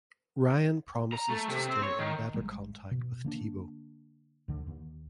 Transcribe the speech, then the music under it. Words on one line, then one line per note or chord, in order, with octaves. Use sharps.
Ryan promises to stay in better contact with Tibo.
A#5
A3
C3
C4
C#5
D#3
G#1 F2 G3 G#3
B2
D3 A#3 D4
D2 D3
D#2